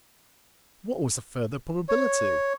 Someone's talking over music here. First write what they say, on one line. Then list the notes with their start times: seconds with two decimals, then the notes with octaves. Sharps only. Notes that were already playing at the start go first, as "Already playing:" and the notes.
What was the further probability?
1.89 C#5